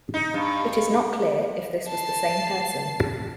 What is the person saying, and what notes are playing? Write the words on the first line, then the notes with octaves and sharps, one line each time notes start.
It is not clear if this was the same person.
D#4
G2
A5 C7